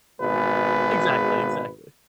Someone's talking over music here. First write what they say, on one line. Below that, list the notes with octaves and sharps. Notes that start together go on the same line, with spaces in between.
Exactly, exactly.
G#1 B2 G#3 B4